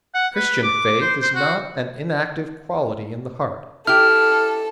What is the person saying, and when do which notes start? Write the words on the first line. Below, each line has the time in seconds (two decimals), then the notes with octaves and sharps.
Christian faith is not an inactive quality in the heart.
0.14 F#5
0.35 B4
0.63 D6
1.01 C5
1.21 C5
1.35 F#4
3.87 E4 G4 A4 F6